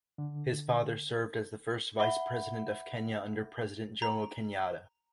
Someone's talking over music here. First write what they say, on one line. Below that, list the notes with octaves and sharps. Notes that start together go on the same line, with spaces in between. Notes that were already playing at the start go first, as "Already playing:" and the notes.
His father served as the first Vice President of Kenya under President Jomo Kenyatta.
D3
E5 F#5 B5 G7
A#5